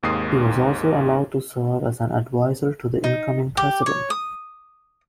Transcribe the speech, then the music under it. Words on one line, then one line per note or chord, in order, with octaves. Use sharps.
He was also allowed to serve as an advisor to the incoming president.
G#1 D#2 G#2 D#6 C7
D#4
G4
C#5
D#6